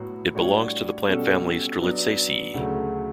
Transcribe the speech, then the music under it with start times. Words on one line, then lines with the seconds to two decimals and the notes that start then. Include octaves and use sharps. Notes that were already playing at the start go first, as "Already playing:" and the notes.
It belongs to the plant family Strelitziaceae.
Already playing: A2 F#3 B3 F#4 C#5
0.34 A2 G3 D4 F#4 C#5
1.08 B2 G3 C#4 F#4 A4
1.81 F#3 B3 D4
2.54 D2 C#3 F#3 A3